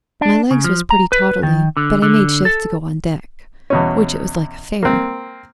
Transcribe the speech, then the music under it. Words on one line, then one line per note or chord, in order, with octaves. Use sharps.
'My legs was pretty tottly, but I made shift to go on deck, which it was like a fair.
D4
C#3
F3
A#5
B4
D#3
D3
D3
A4
E2 B2 C#4
A#3 C4